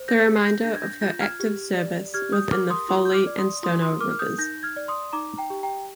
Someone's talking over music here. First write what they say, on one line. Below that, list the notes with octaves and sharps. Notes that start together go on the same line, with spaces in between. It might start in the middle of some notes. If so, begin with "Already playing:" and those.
The remainder of her active service was in the Folly and Stono Rivers.
Already playing: C5
G6 A#6
G#4
C7
G6 A#6
D4 G6 A#6
G#6
G6 A#6
F4 G6 A#6
F6 G#6
G4
D5
G4 F6 G#6
D#6 G6
A#4 D6 F6
C6 D#6
F4 C6 D#6
G6
D6 F6
D5
C6 D#6
F4 C6 D#6
C6 D#6
A#4 D6 F6
F6
D#6 G6
D#4 G6 A#6
F6 G#6
D5
C6 D#6
D#4 A#5 D6
G5 A#5
G4
G5 A#5